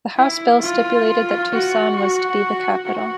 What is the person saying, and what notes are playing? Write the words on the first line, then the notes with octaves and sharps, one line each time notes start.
The house bill stipulated that Tucson was to be the capital.
E4
F4
F#4
F#4
F#4